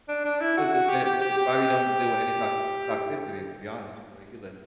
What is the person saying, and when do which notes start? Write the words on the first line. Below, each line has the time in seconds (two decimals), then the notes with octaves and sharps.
'cause it's the y you probably don't deal with any toxici toxicity, to be honest, the way you live.
0.08 D4
0.25 D4
0.40 E4
0.57 F#4
0.74 F#4
0.89 G4
1.05 G4
1.21 G4
1.38 G4